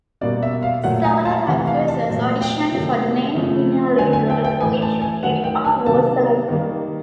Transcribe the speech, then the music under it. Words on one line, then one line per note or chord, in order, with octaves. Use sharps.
Several actresses auditioned for the main female lead role for which Aw was selected.
B2 G3 A#3 D5
E5
F5
A#2 F#3 A3 F#5
G#5
A5
C3 E3 A3 F#5
F5
A5
A#2 F#3 A3 A5
G5
C3 D#3 F#3 A3
C#3 F3 A3
D3 F#3 A3 G#5
G#5
G5
G5
A2 E3 A3 G#5
A5
G#5
D#3 F#3 A3 F#5
G5
G#5
C3 D#3 F#3 A#3 A5
D#3 G3 A#3